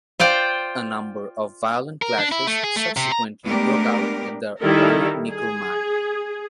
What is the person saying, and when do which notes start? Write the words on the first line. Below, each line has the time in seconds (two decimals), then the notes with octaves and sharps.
A number of violent clashes subsequently broke out at the Ramu nickel mine.
0.20 F4 C5 D5 G5
2.02 A#4
2.18 D4
2.32 E4
2.47 A3
2.64 G#4
2.76 A3
2.97 C3
3.12 A#5
3.44 G#3 A3 B3 D4 G4 A#4
4.62 D#3 G3 D#4 E4 A4 A#4
5.29 G#4